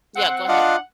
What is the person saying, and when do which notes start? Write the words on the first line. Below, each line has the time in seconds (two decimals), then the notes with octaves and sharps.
Yeah, go ahead.
0.16 C4 F#5
0.49 D4 F4 D#5 F5 F#5